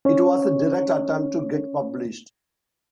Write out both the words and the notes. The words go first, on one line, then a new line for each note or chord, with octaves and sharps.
It was a direct attempt to get published.
C#4 C#5